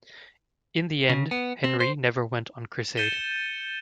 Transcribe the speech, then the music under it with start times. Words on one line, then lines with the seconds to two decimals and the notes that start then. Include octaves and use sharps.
In the end, Henry never went on crusade.
1.09 C#3
1.31 B3
1.64 C4
1.80 C5
2.97 G6 A6 C#7 D#7 E7 G7